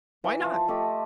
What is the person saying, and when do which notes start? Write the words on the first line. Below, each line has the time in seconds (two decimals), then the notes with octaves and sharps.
"Why not?"
0.24 E3 E5
0.40 F3 F4 A5
0.68 A3 G4 A4 D#5